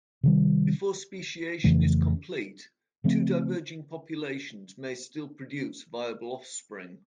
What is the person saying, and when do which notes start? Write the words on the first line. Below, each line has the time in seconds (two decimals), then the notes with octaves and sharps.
Before speciation is complete, two diverging populations may still produce viable offspring.
0.23 C3 D#3 G3
1.64 F2 C#3 E3 A3
3.04 C#3 F3 A3 C4